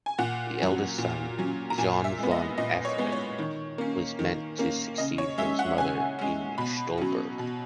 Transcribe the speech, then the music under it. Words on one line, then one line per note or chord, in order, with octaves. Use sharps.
The eldest son, Johann von Efferen, was meant to succeed his mother in Stolberg.
G#5
A#2 F#5
F#3 C#4
A#2
F#3 C#4
A#5
A#2 G#5
E5
G#3 B3
D#5
A#2 D#5
C#5
G#3 B3
C#5
D#3
A#3 C#4
D#3
A#3 C#4
C#3 D#5
C#5
G#3 C#4 E5
F#5
C#3 G#5
G#3 C#4
B2 B5
F#3 C#4
B2